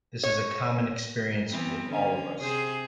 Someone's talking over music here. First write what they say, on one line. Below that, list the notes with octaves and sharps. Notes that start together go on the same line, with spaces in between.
This is a common experience with all of us.
C#5
E3 B3 C4
D3 C#4
C3 G#4 C5